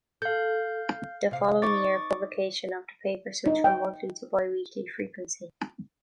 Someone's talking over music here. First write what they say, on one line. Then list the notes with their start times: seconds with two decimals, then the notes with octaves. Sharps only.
The following year, publication of the paper switched from monthly to bi-weekly frequency.
0.22 A4 F5 G6
1.31 C3 F5
1.62 D#4 C#6 D6 A6
3.46 D#4
3.64 G5